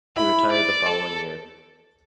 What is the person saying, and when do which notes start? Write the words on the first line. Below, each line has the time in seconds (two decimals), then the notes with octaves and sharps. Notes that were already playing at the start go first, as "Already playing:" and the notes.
He retired the following year.
0.16 E4 B5
0.51 D5
0.86 A4